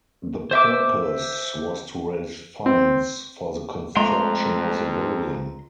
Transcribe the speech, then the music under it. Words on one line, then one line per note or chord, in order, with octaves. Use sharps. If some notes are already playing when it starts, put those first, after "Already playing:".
The purpose was to raise funds for the construction of the building.
C5 E5 D6
C4
F2 G#3 A3 A#5 C6